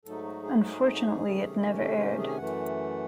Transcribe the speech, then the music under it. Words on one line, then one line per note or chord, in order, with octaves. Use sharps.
Unfortunately it never aired.
G#2 F#3 A3 D#4 A4
F#4
G#4
F#4
G#4
C3 D#3 A3 C#4
A4
C5
G#4
G#5
F#2 E3 A3 F#5